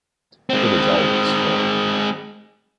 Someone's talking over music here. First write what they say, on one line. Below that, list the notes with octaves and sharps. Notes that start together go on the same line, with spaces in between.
It is always full.
G#3 C4